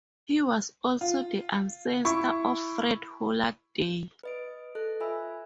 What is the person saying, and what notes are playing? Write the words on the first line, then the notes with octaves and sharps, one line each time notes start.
He was also the ancestor of Fred Holland Day.
F4
E4 C#6
B4 D#5 D7
A4 D#5 F#6
F4 E5 G#5 B5 E6